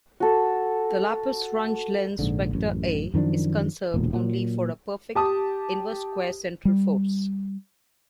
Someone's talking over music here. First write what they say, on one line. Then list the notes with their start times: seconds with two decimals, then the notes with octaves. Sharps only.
The Laplace-Runge-Lenz vector A is conserved only for a perfect inverse-square central force.
0.20 F#4 A4
2.19 A#1 G#2 D3
2.53 A1 F#2
3.14 F#2 D#3 F3 D4
3.94 E1 D2 A#2
4.13 A#2 F#3
5.15 G4 A5 D#6
6.65 G3